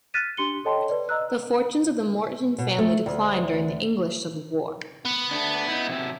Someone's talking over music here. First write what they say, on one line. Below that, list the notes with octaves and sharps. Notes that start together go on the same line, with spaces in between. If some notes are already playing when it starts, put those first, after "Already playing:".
The fortunes of the Moreton family declined during the English Civil War.
F6 F#6 A6 B6 D#7 E7
D4 G4 C6 C#7 G7
A4 C#5 D#5 G5 A5 C6
B4 D5
D#5 A#5 E6 F#6
B2
A3
D2
B3
A3 D4
D#4 E4
C3 F#3 E5